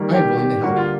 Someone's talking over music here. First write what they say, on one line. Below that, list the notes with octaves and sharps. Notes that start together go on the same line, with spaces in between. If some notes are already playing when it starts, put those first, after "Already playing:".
I am willing to help you.
Already playing: D#3 G3 A#3
G4
G4
D3 G3 A#3 F#4
F4